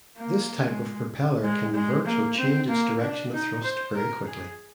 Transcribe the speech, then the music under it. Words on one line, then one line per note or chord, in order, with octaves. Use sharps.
This type of propeller can reverse or change its direction of thrust very quickly.
A#3
G#3
G#3
G#3
A#3
C4
A#3
D4
D#4
C5
A#4
G#4